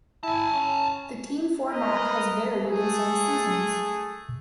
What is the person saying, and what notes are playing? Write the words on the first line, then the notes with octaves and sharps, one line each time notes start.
The team format has varied in some seasons.
E4 G#5 A5
C#4
A#4 B4 D#5
A3 G#4